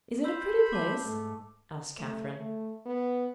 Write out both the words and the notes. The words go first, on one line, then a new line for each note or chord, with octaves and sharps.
"Is it a pretty place?" asked Catherine.
C5 B5 E6
A5 D6
G#2 A3
A3
A3
B3